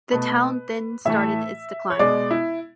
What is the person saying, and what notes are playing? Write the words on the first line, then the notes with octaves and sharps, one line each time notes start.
The town then started its decline.
B2 A3 B4
A2 E3 A3 E5
C#5
B2 G#3 D5
E4